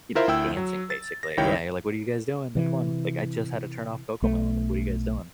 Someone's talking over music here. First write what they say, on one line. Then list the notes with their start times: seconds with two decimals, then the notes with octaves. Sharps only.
you know, dancing, basically. Yeah you're like, "What are you guys doing? Like, come on, like, I just had to turn off Cocomelon, like, what are you guys doing?"
0.15 E4 F4 A#4 C5 E5
0.28 D2 E4 G5 E6
0.57 F#3
0.90 A6
1.23 A#6
1.37 C#2 D#3 E4 C#5 G5
2.55 C3 E3
4.22 B1 A3